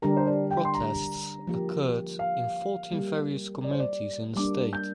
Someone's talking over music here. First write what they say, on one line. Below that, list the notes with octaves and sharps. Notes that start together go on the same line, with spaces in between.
Protests occurred in fourteen various communities in the state.
D3 G3 D4 G4 A#4 A#5
C5
D5
G5
C6
A#5
F3 A#3 G4
F5
G3 A#3 G4
D5
C5
D5
G3 A#3 D4 D6
G6